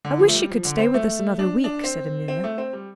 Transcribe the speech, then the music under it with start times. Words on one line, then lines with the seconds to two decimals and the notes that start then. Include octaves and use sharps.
"I wish she could stay with us another week," said Amelia.
0.05 D3
0.20 F3
0.28 A3
0.34 G3
0.50 F3
0.65 D3
0.79 C4
0.94 A3
1.39 D4
1.64 D4
1.84 C4
2.28 C4
2.44 A3
2.58 C4
2.73 G3